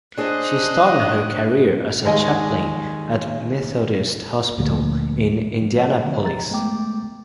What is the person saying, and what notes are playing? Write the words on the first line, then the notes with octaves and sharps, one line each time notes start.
She started her career as a chaplain at Methodist Hospital in Indianapolis.
D4 G#4 C5 D#5 F#6
D#2 G#3 D#5 G#5
D2 A#2 D3 F3 A3 A#3
F3 G#3
C#5 D#5
D3 F3
A#5 A6
G#3 A3 B3 G5 D6